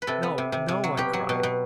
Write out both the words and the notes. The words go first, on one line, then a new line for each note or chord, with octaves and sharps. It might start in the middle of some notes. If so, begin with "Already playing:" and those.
"No, no!" I cried.
B4
C3 A4
B3
C3
C3
C3
F#3
B2 G4
F#3
B2
B2